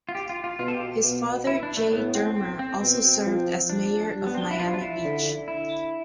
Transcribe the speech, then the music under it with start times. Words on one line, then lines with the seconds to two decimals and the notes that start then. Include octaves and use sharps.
His father Jay Dermer also served as mayor of Miami Beach.
0.09 F4
0.15 G4
0.29 F4
0.44 F4
0.59 B2 F4
0.68 A4
0.74 G4
1.04 B2
1.47 E4
1.63 D4
1.77 A3
1.92 A2 B3
2.15 C4
2.36 C4
2.59 C4
2.81 B2 C4
3.26 F3
3.70 D4
4.15 G3
4.27 B3
4.35 C4
4.43 D4
4.51 E4
4.59 F3 F4
4.74 D4
4.81 E4
5.04 D3
5.48 E4